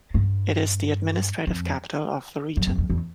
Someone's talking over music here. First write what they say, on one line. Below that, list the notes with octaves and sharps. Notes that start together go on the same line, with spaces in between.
It is the administrative capital of the region.
G2
F2
F#2
F2
F2
E2